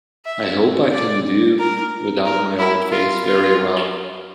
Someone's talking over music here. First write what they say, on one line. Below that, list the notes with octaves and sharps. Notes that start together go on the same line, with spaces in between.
I hope I can do without my old face very well.
E5
D5
A#4
A#4
E4
F4
F4